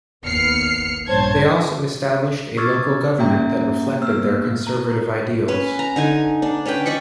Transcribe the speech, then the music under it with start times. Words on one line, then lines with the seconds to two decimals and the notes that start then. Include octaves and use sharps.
They also established a local government that reflected their conservative ideals.
0.25 D#2 B3 F6 C7 C#7
1.07 A#1 G2 C5 C#5 A5 G#6
2.57 C#6 D6 E6 F6 G#6 A6
3.18 A#3 C#4 F#4 E5 G5 A#5
4.01 A#3 B3 E6 F6
4.67 A#5
5.48 C#4 B4
5.79 A#5
5.96 D3 D#4 G#5
6.42 D4
6.66 C#4 D4 B4 G5
6.86 D5 D#5 B5 C#6